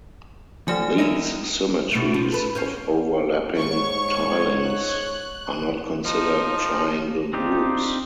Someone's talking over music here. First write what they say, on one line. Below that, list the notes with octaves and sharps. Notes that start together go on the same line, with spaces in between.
These symmetries of overlapping tilings are not considered triangle groups.
E3 F3 A3 G#5
E4 A#4 D#5
B2 A3
F3
A4 B4
C#4 C5 C#5
G#2 C#5 C#6
F#6
F3 D#4
C4 D4 D#4 F4 G4